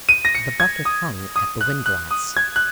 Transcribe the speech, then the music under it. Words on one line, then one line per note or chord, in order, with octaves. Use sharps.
The bucket hung at the windlass.
D#7
A#6
C#7
G#6
D#6
D#6
F#6
F#6
D#6
G#6
F#6